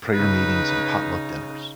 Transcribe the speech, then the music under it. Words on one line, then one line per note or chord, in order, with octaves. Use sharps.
prayer meetings and potluck dinners.
C#3 D#4 B4